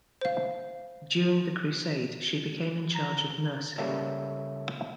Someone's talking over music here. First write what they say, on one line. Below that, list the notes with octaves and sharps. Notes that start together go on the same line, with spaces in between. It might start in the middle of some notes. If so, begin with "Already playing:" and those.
During the Crusade, she became in charge of nursing.
C5 F5
A#5
C#3 G3 A#3 A4 C#5 E5